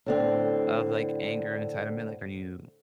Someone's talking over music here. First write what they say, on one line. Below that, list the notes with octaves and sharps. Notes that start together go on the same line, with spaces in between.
of, like, anger and entitlement, like, are you,
A2 D3 C4